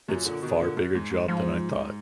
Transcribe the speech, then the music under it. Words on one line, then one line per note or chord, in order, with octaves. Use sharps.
It's a far bigger job than I thought.
F#2 A#2
A#2 D3
B2 D#3
A#2 D3
F#2
G#2
G#2
G#2 F3